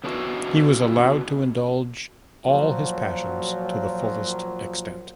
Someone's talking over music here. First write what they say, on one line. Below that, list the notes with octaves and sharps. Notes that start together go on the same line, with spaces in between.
He was allowed to indulge all his passions to the fullest extent.
C#3 B3 D4 E4 F#4 D#5
A#2 F3 F#3